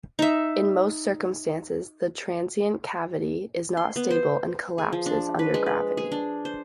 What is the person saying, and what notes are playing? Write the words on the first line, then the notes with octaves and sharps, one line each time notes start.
In most circumstances, the transient cavity is not stable and collapses under gravity.
D#4 E5
C6
B3
C5
G#4
F3
D4
B4
G#3
B4
G#4
D4
C5